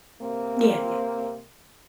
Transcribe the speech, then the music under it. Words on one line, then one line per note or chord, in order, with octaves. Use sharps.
Yeah. Yeah. Yeah.
C3 A#3 C4